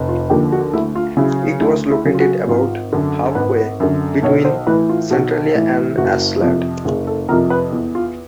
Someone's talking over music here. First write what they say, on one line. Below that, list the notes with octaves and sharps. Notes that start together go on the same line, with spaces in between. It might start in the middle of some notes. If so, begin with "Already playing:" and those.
It was located about halfway between Centralia and Ashland.
Already playing: F1
F4
D#2 D3 F3 G4
F#4
D2 E4
F4
C#3 F#3 E4
D2 E4
E4
C#3 F#3
F4
F#4
G#1 F4
F#2 D3
G#1 B4
F#2 D3
B1 C#5
C5
A2 E3 B4
F4
B1 F#4
A2 E3
F#1 F#4
F2 C3 F3
F#1 G#4
A4
F2 C3 F3 A#4
B4
E2
F4